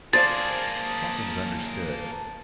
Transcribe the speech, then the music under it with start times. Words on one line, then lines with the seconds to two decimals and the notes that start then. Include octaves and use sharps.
Hawkins understood.
0.13 A#3 G#4 C5 D5 F5 A5 A6